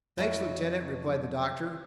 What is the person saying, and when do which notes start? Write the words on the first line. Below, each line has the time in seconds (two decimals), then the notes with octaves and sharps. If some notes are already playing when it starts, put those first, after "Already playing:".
"Thanks, Lieutenant," replied the Doctor.
0.18 F2 F#3 E4